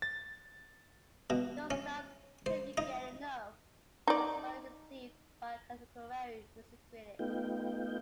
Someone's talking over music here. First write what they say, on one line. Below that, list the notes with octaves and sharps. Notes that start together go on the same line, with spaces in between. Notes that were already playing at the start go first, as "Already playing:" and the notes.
"Don't Stop 'Til You Get Enough" was well received by contemporary music critics.
A6
B2
C#4
C5
D#4
D#4 D5
A3 B3 D#4 F4 G5